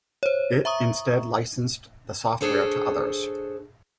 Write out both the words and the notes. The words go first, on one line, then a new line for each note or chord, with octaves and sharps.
It instead licensed the software to others.
C5 C#5
E5 A#5 C#6 D#6
D4 G#4 A4 C5 C#5